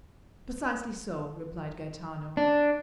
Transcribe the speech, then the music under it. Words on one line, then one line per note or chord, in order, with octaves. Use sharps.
"Precisely so," replied Gaetano.
D4